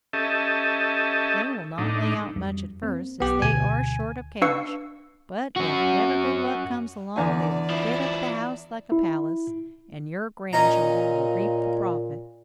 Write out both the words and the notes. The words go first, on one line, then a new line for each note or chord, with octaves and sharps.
They will not lay out much at first as they are short of cash but if ever good luck comes along they will fit up the house like a pallis and your granchildren will reep the proffit.
C#4 G4 A4 D#5 E5 A5
A2 D4 D#4
F2 G3
A#3 C4
B1 B3 G4
D2 B2 G#5
D4 B4 F5 C#6 E6 C#7
C#4 F#4
E2 D3 D5 G#5
F3 E4
E4
A#2 C#4 D#4 A#5